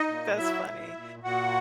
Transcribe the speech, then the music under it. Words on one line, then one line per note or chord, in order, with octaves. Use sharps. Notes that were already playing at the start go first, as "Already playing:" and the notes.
that's funny,
Already playing: D#4 D#5
A#2
F#3 E4 E5
A#2
A#2
A#2 F#4 F#5